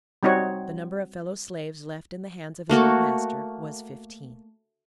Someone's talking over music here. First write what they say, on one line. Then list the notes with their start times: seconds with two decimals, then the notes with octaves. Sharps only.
The number of fellow-slaves left in the hands of his old master, was fifteen.
0.23 G3 C4 D#4 F#4 C#5
2.70 A3 A#3 F#4 A4